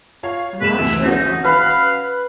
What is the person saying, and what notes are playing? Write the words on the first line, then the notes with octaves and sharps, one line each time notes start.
"I'm not sure about that."
F4 C#5 F5
F#1 G#3 B4 E7
D2 C3 E3 E5
C#4 D#4 F#4
B4 F5